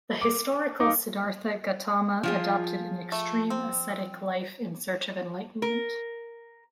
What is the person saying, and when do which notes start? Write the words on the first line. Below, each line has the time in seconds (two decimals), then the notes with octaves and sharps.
The historical Siddhartha Gautama adopted an extreme ascetic life in search of enlightenment.
0.21 D6
0.80 D#4 F5 D6
2.23 F3 F4 G#4
3.12 A3
3.50 C4
5.62 A#4